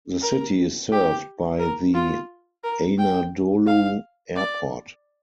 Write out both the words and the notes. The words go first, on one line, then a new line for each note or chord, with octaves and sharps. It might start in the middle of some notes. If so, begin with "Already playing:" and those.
The city is served by the Anadolu Airport.
A#4
G4
A#4
F4
A#4
G5
F5
D5